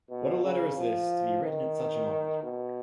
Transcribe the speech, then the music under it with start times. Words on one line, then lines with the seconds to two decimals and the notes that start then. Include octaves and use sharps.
What a letter is this, to be written at such a moment!
0.10 B2
0.44 C#3
0.77 F3
1.44 D#3
2.43 B2